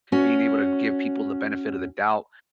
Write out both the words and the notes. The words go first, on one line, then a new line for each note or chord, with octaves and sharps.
being able to give people the benefit of the doubt,
C#4 F#4